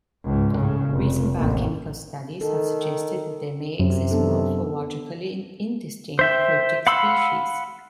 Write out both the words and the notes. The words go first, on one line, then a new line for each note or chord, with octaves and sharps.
Recent biochemical studies have suggested that there may exist morphologically indistinct cryptic species.
C#2 G#2
A2 C#3
F1
A1 D#2
D#3 A4
F#2 C3
B3 D4 A4
C5 E5 G5
F5 F#5 B5 C6 E6